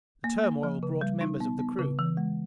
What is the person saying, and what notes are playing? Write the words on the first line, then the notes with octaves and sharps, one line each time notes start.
The turmoil brought members of the crew.
A#3
A#3
F3
C#3
G3
D#4
B3
B3
C#3
E3
G#3